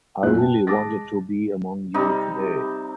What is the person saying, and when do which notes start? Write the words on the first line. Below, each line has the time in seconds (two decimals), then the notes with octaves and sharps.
I really wanted to be among you today.
0.23 F#2 A#2 F4 E5 F#6
0.37 B4 G5 A5
0.67 G#3 A5 D6 D#6 A6 A#6
1.94 C3 G3 C4 D#4